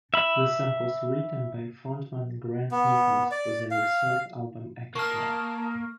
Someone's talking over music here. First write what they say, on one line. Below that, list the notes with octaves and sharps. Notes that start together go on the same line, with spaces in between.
The song was written by frontman Grant Nicholas for their third album "Echo Park".
E5 B5
B3
D5
F5
A#3 A5 C#6 D#6 F6